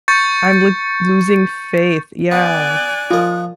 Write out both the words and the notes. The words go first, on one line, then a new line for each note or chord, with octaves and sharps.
I'm, like, losing faith yeah.
C#6 G6 A6 C#7
B3 D5 G#5 F#6
F3 F4 A#4 D#5